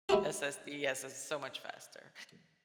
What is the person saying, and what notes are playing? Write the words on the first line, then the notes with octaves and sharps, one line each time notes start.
SSDs is so much faster.
G#3 E4 F#4 G4